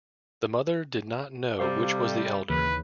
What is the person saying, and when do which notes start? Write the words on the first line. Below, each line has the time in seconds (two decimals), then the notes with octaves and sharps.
The mother did not know which was the elder.
1.60 C3 G3 A4 C5 F5
2.49 D#2 C#3 E3 B4